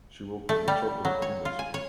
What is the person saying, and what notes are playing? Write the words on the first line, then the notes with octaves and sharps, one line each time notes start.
She worked in the chocolate industry.
A3
G3
F#3
C#5
F4
G#5
C#5